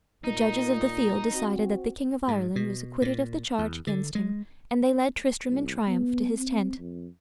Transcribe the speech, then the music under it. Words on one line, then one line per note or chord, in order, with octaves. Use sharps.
The judges of the field decided that the king of Ireland was acquitted of the charge against him, and they led Tristram in triumph to his tent.
A#2 D#4
C4 F#4
G#2
B2
A#2
E2
D3
G#3
C2
B3
C4
F2